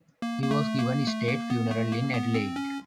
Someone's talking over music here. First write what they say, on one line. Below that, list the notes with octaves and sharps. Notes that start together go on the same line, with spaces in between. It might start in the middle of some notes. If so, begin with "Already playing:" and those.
He was given a state funeral in Adelaide.
A#3
A#3
A3
A#3
A3
A#3
B3
A3
A#3
B3
C4
C#4